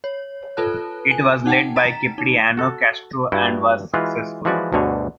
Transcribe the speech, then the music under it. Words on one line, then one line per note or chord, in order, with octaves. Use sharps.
It was led by Cipriano Castro and was successful.
C#5
F4 A4 B4 A5 F#6
G#5
D#4 F#5 G5 A5
A#5 A6 B6 E7
D#4
F#4 A4
G2 E4 F#4 G5
E3 G#3 F4 F#4 B4
E3 F3 G#3 F#4 B4 D5
D2 G2 B2 D3 G#4 C#5